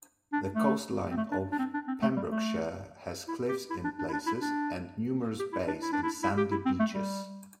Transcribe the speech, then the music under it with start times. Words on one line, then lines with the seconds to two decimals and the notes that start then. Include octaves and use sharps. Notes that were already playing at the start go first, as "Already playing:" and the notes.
The coastline of Pembrokeshire has cliffs in places, and numerous bays and sandy beaches.
0.33 D4
0.54 A3
1.10 C4
1.17 A3
1.31 D4
1.51 D4
1.59 C4
1.74 D4
1.88 C4
2.02 A3
2.16 G3
2.29 A3
3.28 E4
3.49 G4
3.70 E4
3.84 D4
3.98 D4
4.08 E4
4.13 D4
4.26 E4
4.41 D4
5.39 G4
5.52 E4
5.67 D4
5.81 E4
5.92 D4
6.03 E4
6.23 E4
6.37 G4
6.51 E4
6.65 C4
6.79 A3
6.93 G3